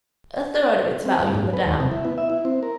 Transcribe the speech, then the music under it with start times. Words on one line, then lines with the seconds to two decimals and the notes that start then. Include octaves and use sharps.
"A third of its value, madame."
1.05 C4
1.20 G2
1.35 G#2
1.53 B4
1.66 D#2
1.80 C3
1.91 E4
2.05 B3
2.18 E5
2.30 E4
2.45 C4
2.63 A#4